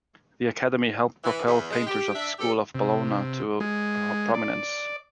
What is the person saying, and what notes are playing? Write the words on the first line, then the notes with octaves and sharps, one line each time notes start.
The academy helped propel painters of the School of Bologna to prominence.
E3
E2
G#3
G4
D4 E5
G2 C4 G4 A4
C3
G#3
D5